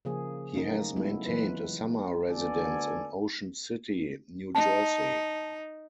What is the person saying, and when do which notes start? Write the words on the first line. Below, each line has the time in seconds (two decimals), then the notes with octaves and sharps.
He has maintained a summer residence in Ocean City, New Jersey.
0.05 C#3 F3 A#3 G#4
0.55 F#3 A#3 C#4 D#4
0.96 F#3 G#3 A3 B3 E4
1.26 E3 F#3 F4 B4
2.29 D2 D3 B3 A4 D5 G#5
4.55 D#4 A5